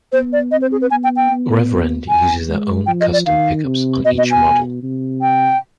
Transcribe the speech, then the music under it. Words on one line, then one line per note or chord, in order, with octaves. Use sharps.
Reverend uses their own custom pickups on each model.
B3 C5
D5
C4 D#5
C5
G#4
B4
B3 G#5
G5
G5
B3
G#5
G#3
F3 G5
D#5
D5
D#3 F5
C3
B2 D#5
D#5
G#5
B2
C3
G5